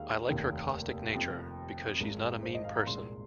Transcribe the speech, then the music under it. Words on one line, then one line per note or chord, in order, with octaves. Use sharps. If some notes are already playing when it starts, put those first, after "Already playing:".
I like her caustic nature, because she's not a mean person.
Already playing: D#2 D#3 G#3 F5
F1 D#2 D#3
F2 C3 F3
G#1 G#2 G#3
C5
D#5
F5
A#5
C2 A#2 G#3 C6